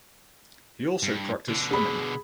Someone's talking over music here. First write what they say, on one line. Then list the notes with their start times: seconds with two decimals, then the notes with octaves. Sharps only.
He also practiced swimming.
1.03 G2
1.48 B2 D3
1.71 G#4 B5